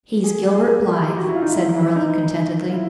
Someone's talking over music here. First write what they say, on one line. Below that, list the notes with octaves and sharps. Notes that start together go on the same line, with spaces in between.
"He's Gilbert Blythe," said Marilla contentedly.
G#4
G#4
G4
G4
F#4
E4
F4
D#4
E4
E4
D#4
F4
E4